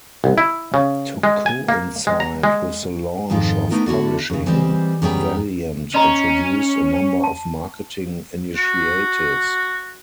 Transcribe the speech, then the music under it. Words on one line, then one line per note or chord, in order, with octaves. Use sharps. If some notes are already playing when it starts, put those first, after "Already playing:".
To coincide with the launch of publishing, Valiant introduced a number of marketing initiatives.
C2
E4
C#3
G#3
G#5
A#3
G#3
A#5
G#3
F2 G#2 D#3 G#3 F4
A3 B3 D#4 E4 A#4 B4
D3 E4 F#4 D5
F#2 C#3
E3 G3 G#3 C4 C5 D5
F#2 G3 B3 G#4 G5 A#5
C#4 D#5 A#5
A5
F#4